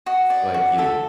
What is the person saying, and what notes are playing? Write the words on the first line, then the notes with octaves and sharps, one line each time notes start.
I feel like yeah.
F#4 D#5
D5
F#4
A4 E5